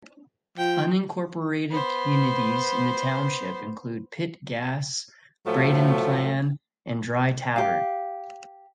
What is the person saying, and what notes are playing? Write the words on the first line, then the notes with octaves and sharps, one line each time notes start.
Unincorporated communities in the township include Pitt Gas, Braden Plan, and Dry Tavern.
F3 F4 G5
B3 C5
A2 F3 F#3 A3
G4 F5